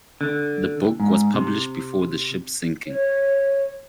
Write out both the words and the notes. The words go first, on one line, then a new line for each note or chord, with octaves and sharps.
The book was published before the ship's sinking.
D3
G#2
C3
C#5